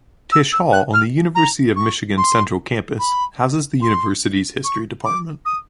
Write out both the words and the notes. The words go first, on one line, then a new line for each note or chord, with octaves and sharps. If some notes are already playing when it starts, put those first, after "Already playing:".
Tisch Hall, on the University of Michigan central campus, houses that university's history department.
E6
E6
F#6
F6
A#5
C#6
C6
B5
C6
C#6
D6
D#6